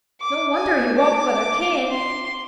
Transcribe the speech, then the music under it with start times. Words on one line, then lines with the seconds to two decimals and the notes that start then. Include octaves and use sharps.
No wonder he walked with a cane!
0.20 D6
0.54 G#5
0.98 D6
1.90 C6